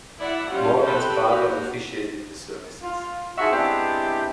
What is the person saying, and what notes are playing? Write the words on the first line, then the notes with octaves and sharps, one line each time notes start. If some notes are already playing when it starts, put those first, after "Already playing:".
Morgan’s father officiated the services.
E4 D5 E5 F#5
G3 C#4 F4 G4
C4 G4 A4 B4
A#3 F#4 G4
F4
F3 D#4 F#4 G#4 E5
G#3 B3 C4 D4 E4 G4